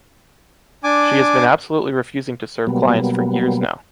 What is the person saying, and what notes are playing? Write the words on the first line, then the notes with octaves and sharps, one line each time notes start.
She has been absolutely refusing to serve clients for years now.
D4 G#5 D6
B2 F#3 G3 A#3 B3